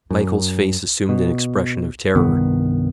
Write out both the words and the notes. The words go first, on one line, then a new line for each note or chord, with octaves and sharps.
Michael's face assumed an expression of terror.
F#2
B2
C2 G2 D#3 B3